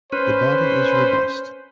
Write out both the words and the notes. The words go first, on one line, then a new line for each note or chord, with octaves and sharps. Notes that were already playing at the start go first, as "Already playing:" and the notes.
The body is robust.
C#4 B4 C5